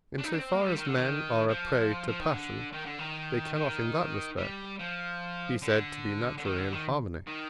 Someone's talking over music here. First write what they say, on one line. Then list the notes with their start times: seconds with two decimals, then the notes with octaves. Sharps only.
In so far as men are a prey to passion, they cannot, in that respect, be said to be naturally in harmony.
0.18 D4
0.24 D#4
0.33 D4
0.38 C4
0.52 A#3
0.61 G#3
0.66 G3
0.76 D#3
0.86 D3
0.97 D#3
1.49 F3
2.07 F3
2.20 D#3
2.31 D3
2.72 D#3
2.85 D3
2.99 D#3
3.55 D#3
4.38 G3
4.79 F3
5.62 D3
6.38 D3
6.45 D#3
6.58 D3
6.72 D#3
7.27 D#3